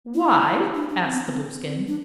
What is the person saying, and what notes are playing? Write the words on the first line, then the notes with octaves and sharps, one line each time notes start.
"Why?" asked the Blueskin.
E4
D4
D4
C4
B3
B3
C4
D4